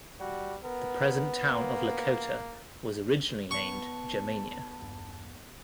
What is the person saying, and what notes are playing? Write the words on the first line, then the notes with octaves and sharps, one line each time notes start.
The present town of Lakota was originally named Germania.
G3 F#4
B3 A#4
A#3
B3 A5 C#6
A#1 E2 G2